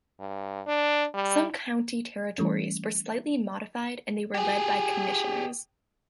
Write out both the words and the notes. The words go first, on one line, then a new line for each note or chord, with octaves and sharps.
Some county territories were slightly modified and they were led by "commissioners".
G2
D4
G3
E3 G3 A3 C#4
G4 G#4